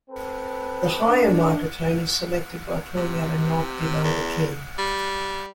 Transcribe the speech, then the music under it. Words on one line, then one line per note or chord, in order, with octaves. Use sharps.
The higher microtone is selected by pulling out a knob below the key.
C4 A4 B4
D4
C3
E2
G3